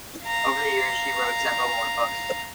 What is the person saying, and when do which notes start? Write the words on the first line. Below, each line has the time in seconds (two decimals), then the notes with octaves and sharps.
Over the years, she wrote several more books.
0.24 F5 A#5